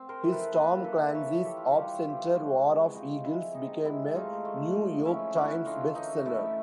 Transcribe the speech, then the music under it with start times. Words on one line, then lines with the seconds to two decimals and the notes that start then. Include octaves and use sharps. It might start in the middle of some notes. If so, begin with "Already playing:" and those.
His "Tom Clancy's Op-Center: War of Eagles" became a "New York Times" Best Seller.
Already playing: C4
0.09 A#4 C5
0.24 E3
0.32 A4 B4
0.54 A#3 A4 B4
0.84 E3 A4 B4
1.14 E3 B4 C#5
1.44 E3 G4 A4
1.57 F4
1.66 F#4
1.74 G3 F4 G4
2.04 E3 F4 G4
2.34 G#3 E4 F#4
2.65 C3
2.94 C3 D#4 F4
3.25 G#3 E4
3.54 C3 D#4
3.85 G#3 E4
4.15 A3 D#4 F4
4.45 A3
4.75 F3
5.05 C#4 E4
5.35 C#4 E4 F#4
5.65 D3 D#4 F4
5.95 E3 D#4
6.25 A3 E4